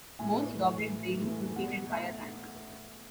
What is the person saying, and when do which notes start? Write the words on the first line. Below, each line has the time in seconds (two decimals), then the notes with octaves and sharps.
More elaborate braiding indicated higher rank.
0.19 A2 G#5
0.54 E3 A3
0.88 A2
1.22 E3 A3
1.56 B2 F#5
1.90 A3 E5